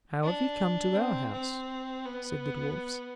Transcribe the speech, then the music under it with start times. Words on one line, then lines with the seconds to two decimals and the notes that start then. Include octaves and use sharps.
"How have you come to our house?" said the dwarfs.
0.23 D4
0.95 C4
1.32 C4
2.05 B3